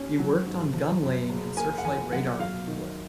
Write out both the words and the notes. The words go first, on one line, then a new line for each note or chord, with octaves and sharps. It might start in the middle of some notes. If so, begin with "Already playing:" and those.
He worked on Gun Laying and Searchlight Radar in England.
Already playing: D#2 C#4
F#3
G#2
F3
F#2
F#1
A#3 G#5
F#5
F3 G#5
F#2 F#5
F#3 F5
D#3